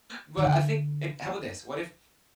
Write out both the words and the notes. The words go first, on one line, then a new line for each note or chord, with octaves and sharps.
But I think and how about this? What if
D#3
D3